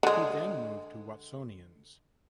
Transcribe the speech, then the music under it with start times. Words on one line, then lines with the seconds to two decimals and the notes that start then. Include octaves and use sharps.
He then moved to Watsonians.
0.03 D3 G#3